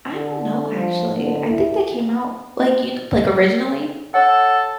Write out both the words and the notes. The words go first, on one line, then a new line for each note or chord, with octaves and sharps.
I don't know, actually, I think they came out, like, you kn like, originally?
D3
F3
D3
E4
A4 C#5 F#5